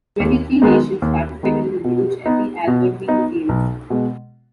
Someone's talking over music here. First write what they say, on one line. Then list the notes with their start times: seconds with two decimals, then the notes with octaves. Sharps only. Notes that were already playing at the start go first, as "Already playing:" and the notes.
Twenty-three nations participated in Luge at the Albertville Games.
0.20 D#2
0.62 D#3 G#3 B3 D#4
1.02 D#2
1.43 D#3 G#3 B3 D#4
1.84 B2
2.26 B3 D#4
2.67 B2
3.08 B3 D#4
3.49 B1
3.90 B2 G#3